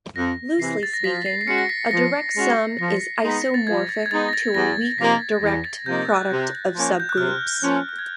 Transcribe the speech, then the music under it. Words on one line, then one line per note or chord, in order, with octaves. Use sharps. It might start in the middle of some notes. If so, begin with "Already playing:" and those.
Loosely speaking, a direct sum is isomorphic to a weak direct product of subgroups.
F2 A#6
C3 E3 C7
A6
A#6
F3 B6
C7
C7
G#3 C#4 F#4 C#7
A#6
B6
F3 A#6
G#3 C#4 F#4
F3 A#6
B6
A#6
G#3 B3 D#4
B6
A#6
A6
F3 G#6
A6
G#6
G#3 B3 D#4 A6
A#6
A6
E2 A#6
C3 F3 A#3 D#4 B6
E2 A#6
A6
C3 F3 A#3 D#4 G6
F#6
C3
F3 A#3 C#4
G6
F#6
C3 F6
F3 A#3 C#4 F#6
F6
F#6
G#6